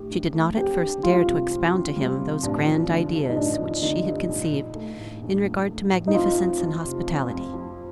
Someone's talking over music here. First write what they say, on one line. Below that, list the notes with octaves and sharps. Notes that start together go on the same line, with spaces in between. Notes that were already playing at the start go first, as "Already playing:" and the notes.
She did not at first dare to expound to him those grand ideas which she had conceived in regard to magnificence and hospitality.
Already playing: A2 D4 G4
D4
A3
F2 G4
D4
G3 F4
C3
F2
D4
G3
C3
A1 D4
F3
D3
G2
D#4
A1 D4
F3
D3 D#4
G2
A#1
A#1
A3
A2
A#1
A#1
A3
A2
D#4
F2 F4
F2
F3
C3
F2
F2
F3